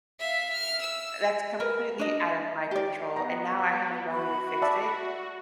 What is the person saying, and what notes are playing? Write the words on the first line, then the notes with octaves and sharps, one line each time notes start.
that's completely out of my control, and now I have no way to fix it
E5 F5
F6
E6
A#4 B4
D4 D#5
G4 D5
B3 F#5 A#5
F#4 B5
D5 E5 A5